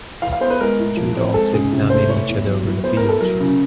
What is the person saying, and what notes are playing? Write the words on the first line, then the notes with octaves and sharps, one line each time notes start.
Two dogs examine each other in a field.
E3 F5
F5
B3 C5
B4
G#3 A#4
A2
F3
C4
G#3 A4
C#3 G#4
C3
A3 C5
E3 C#5
E2
F#3
A2
B3 C5
A#4
A2
A4
F#3 A#4
C#3